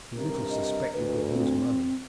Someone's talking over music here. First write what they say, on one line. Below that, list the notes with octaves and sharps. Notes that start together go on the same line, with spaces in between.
He little suspected with whose money.
G2 C3 A#4
D#5
D2 B4
C4